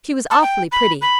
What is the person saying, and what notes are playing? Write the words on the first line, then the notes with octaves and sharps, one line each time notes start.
She was awfully pretty.
A5
G5
B5
B5